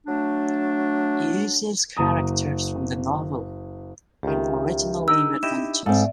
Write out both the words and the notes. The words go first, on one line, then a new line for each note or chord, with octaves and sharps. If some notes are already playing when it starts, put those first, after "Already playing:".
It uses the characters from the novel in original new adventures.
F#3 A3 D4
F#1 A#5 D#6
C#2 D#3 G4 E5
D4 D#4 G4 A#4 D#5 E6
E4 G4 D#5 E7
G#2 C4 A4 D5 E5